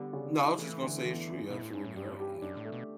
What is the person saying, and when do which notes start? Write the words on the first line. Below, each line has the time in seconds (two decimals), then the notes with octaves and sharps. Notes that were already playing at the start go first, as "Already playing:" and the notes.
No, I was just gonna say it's true, you're absolutely right, yeah.
Already playing: D3 G3 B3
0.13 C#3
0.36 E4
0.59 E3 A3
0.82 D3
1.05 E2
1.28 E4
1.50 B2 E4
1.62 A2
1.73 G2 C#4
1.85 A2
1.96 G2 G3
2.20 G4
2.42 F#2 D4
2.57 A2
2.65 A3
2.72 B2